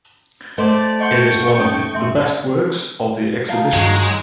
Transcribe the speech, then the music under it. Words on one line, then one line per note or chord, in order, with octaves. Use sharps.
It is one of the best works of the exhibition.
A3 C5 D5 D#5
D#5 F#5 G5 C6 C#6
C#4 D#4 D#6
E5 C6
D#4 F4 F5 A5
G2 D#3 F#3 G#3 D#4 F#4